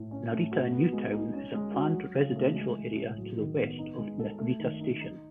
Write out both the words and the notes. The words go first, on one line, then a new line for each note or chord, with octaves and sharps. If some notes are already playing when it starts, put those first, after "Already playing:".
Narita New Town is a planned residential area to the west of Narita Station.
Already playing: A2
C#4
A3
F#4
B3
G#3
D#4
C#4
G#3
F#4
F#3
C#3
A3
G#3
E3
A2
F#3
D#3
B3
D#4
G#3
A4
A3
D#3
D#4
D#4